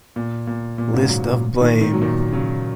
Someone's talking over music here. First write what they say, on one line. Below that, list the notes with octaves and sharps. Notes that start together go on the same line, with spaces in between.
List of Blame!
A#2
A#2
A#2
G#2 C#3
C#3 F#3
A#2
A#2 D#3
A#2 D#3
F#3
A#2 D#3
C#3 F#3